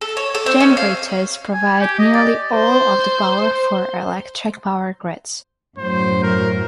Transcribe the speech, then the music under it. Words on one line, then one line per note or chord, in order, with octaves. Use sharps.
Generators provide nearly all of the power for electric power grids.
A4
C#5
A4
C4
C#4
F5
G#5
G4
D#5
D5
C5
F#2 A2 F#3 C5
A#4